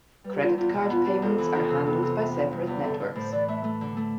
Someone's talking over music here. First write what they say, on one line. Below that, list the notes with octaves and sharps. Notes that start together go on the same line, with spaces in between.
Credit card payments are handled by separate networks.
G3 B4
G4
E2 F4
E2 F4
B2 E4
B3 F4
D4 G4
F2 A4
E3
F2
C3
B3
C3
B3
F3
G2
E2
D3 A4
D3 B4
A2 C5
E3 D5
A3 E5
A3
D3
A3